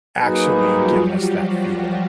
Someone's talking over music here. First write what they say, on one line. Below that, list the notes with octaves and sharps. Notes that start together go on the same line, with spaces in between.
actually give us that feeling.
F#3 A#3 D#4 F#4 G#4 B4
G3 G4
F3 F4